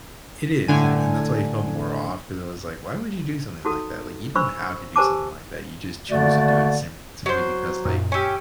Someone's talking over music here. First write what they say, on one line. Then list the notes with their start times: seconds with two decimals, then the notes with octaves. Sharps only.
It is, you know, and that's why I felt more off 'cause It was like, "Why would you do something like that?" Like, you don't have to do something like that. You just chose to do it sim simply because, like,
0.68 A2 D3 G#5
3.65 D#4 F#4 A4
4.35 D4 C5 B5 C#6 E6
4.96 G4 A#4 C5 G#5 A5 D6
6.10 D3 D#3 A3 A#3 F#4 D5
7.26 F#3 C5
7.85 F#2 A#2 D#3
8.12 C#4 G4 G#5 E6